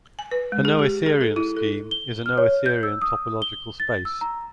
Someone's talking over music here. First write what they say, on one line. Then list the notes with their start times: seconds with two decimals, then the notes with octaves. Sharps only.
A noetherian scheme is a noetherian topological space.
0.19 G#5
0.31 B4
0.52 G#3
0.65 G#4
0.79 G4
1.06 G#4
1.21 A4
1.36 E4
1.57 A4
1.91 G7
2.26 F6
2.38 C#5
2.66 G6
2.83 E6
3.02 D#6
3.42 G7
3.80 A6
4.05 E6
4.21 A#5